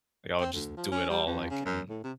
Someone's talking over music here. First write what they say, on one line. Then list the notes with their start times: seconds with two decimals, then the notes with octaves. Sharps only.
like, I would just do it all like, and
0.40 C4
0.53 D2
0.77 F3
0.92 C#4
1.10 G3
1.26 F2
1.50 C#3
1.66 F#2
1.89 A2
2.04 C3